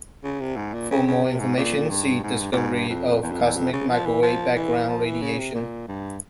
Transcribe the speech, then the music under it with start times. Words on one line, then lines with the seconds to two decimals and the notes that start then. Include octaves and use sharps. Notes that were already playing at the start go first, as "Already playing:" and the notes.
For more information, see "Discovery of cosmic microwave background radiation".
0.24 C#3
0.40 C3
0.57 G#2
0.74 A#2
0.90 C#3
1.07 C#3
1.24 C3
1.40 G#2
1.57 A#2
1.90 G2
2.23 G#2
2.40 G2
2.52 A#2
2.56 G#2
2.73 G2
2.89 F2
3.23 E2
3.32 F2
3.41 E2
3.56 F2
3.73 C#3
3.89 F3
4.06 E3
4.22 F3
4.56 E3
4.89 F3
5.05 E3
5.22 C#3
5.39 C3
5.55 A#2
5.88 G2